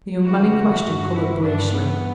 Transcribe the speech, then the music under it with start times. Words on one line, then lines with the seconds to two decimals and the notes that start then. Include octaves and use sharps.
The young man in question coloured boyishly.
0.22 E2 C#3 E3 F#4
0.83 G2 D3
1.12 E4
1.43 G2 E3 D4
1.73 B3